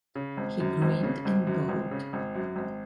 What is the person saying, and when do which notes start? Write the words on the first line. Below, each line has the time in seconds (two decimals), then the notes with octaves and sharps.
He grinned and bowed.
0.15 C#3
0.37 G#1
0.60 F#2
0.82 G#1
1.03 C#3
1.25 G#1
1.47 F#2
1.69 G#1
1.91 C#3
2.13 G#1
2.35 F#2
2.56 G#1